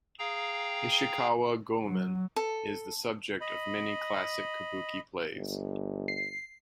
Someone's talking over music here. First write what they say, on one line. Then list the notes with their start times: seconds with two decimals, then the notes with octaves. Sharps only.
Ishikawa Goemon is the subject of many classic kabuki plays.
0.19 G#4 F5 G5 A#5
1.86 F#3
2.36 A4
3.41 D#5 B5
5.34 G1
6.08 C7